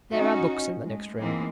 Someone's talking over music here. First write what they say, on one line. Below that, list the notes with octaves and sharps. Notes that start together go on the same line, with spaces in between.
There are books in the next room.
C#4 D#4 F#4
G#3 A3
E3 G#3 A#3 C4 D#4